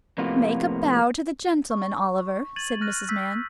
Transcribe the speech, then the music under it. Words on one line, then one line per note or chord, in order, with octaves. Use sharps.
'Make a bow to the gentleman, Oliver,' said Mrs. Mann.
F2 A2 C3 A#3 B3 F4
C#6
G#6 A6 D#7 F#7
F6 F#6 A#6 D#7
E6 G6 B6